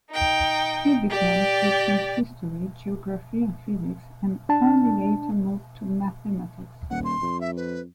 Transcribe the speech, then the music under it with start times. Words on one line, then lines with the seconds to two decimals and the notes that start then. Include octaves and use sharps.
He began teaching history, geography and physics, and only later moved to mathematics.
0.12 D#4 G5
1.10 G4 D5
4.49 D4 A5
6.90 D#1 F#5
7.04 C6
7.22 F2
7.41 E5
7.57 B4